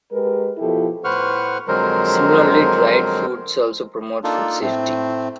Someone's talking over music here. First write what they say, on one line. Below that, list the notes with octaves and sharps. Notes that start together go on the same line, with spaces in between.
Similarly, dried foods also promote food safety.
G#3 G4 A#4 B4
B2 F3 E4 G4 A4
A2 B4 C5 F#5 C#6 F6
F2 D3 F#3 G#3 A#4 C5
A#3 D4 D#4 F4 A4
A2 A3 C4